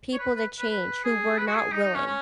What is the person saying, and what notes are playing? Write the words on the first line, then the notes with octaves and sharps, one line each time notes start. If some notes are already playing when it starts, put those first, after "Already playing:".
people to change who were not willing
C#5
B4
B4
B4
B4
G#4
B4
F#4
G#4
D#4
D#4
C#4
C#4